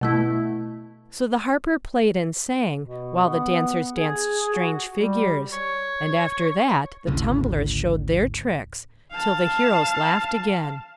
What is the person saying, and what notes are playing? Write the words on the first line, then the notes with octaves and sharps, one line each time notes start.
So the harper played and sang, while the dancers danced strange figures; and after that the tumblers showed their tricks, till the heroes laughed again.
B2 A3 E4
B2
B3
G#4
F#4
G3
C#5
G#1 D2 A2 C#3
F5 A5